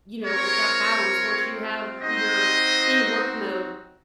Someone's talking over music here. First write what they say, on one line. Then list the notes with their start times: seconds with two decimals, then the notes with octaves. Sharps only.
you know, with that balance, once you have w you're in work mode,
0.25 C4 F4 A#4 C#5
1.99 C4 D#4 F#4 C5 D#5